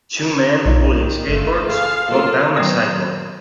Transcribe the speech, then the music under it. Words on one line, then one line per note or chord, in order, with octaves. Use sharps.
Two men holding skateboards walk down a sidewalk.
B1 A#2 D#4
D#3
G1 A3 F4
F4 G#4 A4 F5
F#3 A#3 F4 A4 D5
D#3 F#3 A#3 B3 B4 D5